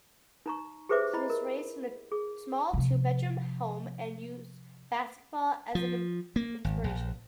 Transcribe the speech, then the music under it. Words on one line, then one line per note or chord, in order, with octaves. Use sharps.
He was raised in a small two-bedroom home and used basketball as an inspiration.
D#4 A#5 C#6
G4 G#4 B4 C5 E5 D6
E4 D#5 B5
A#4
G#4
C3 F3
F3
A#3
G#1
A#1